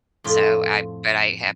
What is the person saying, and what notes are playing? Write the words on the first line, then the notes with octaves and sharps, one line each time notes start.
so I but I have
F2 A2 F4